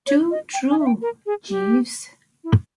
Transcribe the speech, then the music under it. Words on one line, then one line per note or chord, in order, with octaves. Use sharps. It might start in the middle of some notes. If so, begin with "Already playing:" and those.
Too true, Jeeves.
C#5
D#5
G5
G#5
E5
G5
A#4
G#4
G4
E4